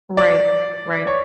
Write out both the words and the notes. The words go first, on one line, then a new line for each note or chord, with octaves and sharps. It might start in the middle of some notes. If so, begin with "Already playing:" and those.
Right. Right.
D5
C#5